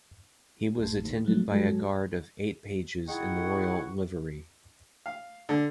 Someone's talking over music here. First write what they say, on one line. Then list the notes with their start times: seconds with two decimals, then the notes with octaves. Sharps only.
He was attended by a guard of eight pages in the royal livery.
0.79 A1 A2
1.03 D#2
1.25 G#1 F3 F#3 A3
1.51 G#2 F#3 G#3 A4
3.09 D#4 E4 G#4 F#5 G5 C#6
5.06 F5
5.49 D3